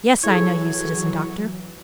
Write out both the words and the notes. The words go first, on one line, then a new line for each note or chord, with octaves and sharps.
"Yes, I know you, Citizen Doctor."
E3 F#3 E4 G#4 A4 C#5